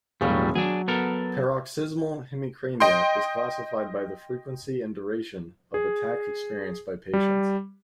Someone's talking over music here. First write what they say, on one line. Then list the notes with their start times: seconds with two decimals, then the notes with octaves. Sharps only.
Paroxysmal hemicrania is classified by the frequency and duration of attacks experienced by patients.
0.21 E1 A2 F#3 G3 F5 C#6
0.55 F#3 D4 G#4
0.88 B3 A4 A#4
2.80 D#5 G5 C6
5.74 G#4
7.13 G3